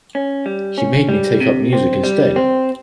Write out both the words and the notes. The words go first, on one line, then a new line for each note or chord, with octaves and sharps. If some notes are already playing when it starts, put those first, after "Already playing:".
He made me take up music instead.
C#4
G3
C#4
G3
C3
C4
G3
C4